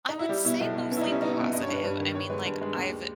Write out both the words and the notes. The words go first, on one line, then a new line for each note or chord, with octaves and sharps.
I would say mostly positive. I mean, like, I've
D#4
E4
G3 G4
B2 E4
B1
B1
B3 C#4
E4
D#4
G3
C#4
B3 D#4
E4
B2 B4
G2 D#5
C#5
G2
B4
G2 B4
D#3
G2 C#5
G#3 B4
G2
G#3
D#2